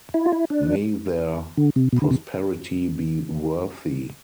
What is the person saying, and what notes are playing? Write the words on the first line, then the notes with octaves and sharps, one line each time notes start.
May their prosperity be worthy.
E4
F4
E4
D4
D3
C3
B2
D3
C3